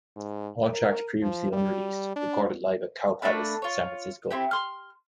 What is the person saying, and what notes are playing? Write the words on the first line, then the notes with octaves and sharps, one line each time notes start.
All tracks previously unreleased, recorded live at Cow Palace, San Francisco.
G#2
A#4
F3
G3
D4
A3 A#3 D4 B5
F4 C#5
C4 E4 G4
C6 F6